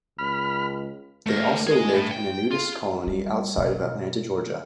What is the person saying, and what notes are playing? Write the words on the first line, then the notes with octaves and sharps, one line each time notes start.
They also lived in a nudist colony outside of Atlanta, Georgia.
C#2 B5 F6
A3 A#4
G#4 D#5
A2
G5
F4
G3
B2